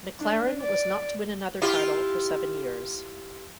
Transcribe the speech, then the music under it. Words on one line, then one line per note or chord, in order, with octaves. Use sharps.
McLaren was not to win another title for seven years.
D4
D5
E4 F4 G4